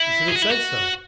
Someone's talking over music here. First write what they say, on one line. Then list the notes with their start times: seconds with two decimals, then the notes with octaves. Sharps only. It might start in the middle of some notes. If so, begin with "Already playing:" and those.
You should have said so.
Already playing: E4
0.28 G#4
0.36 F#4
0.42 E4
0.50 F#4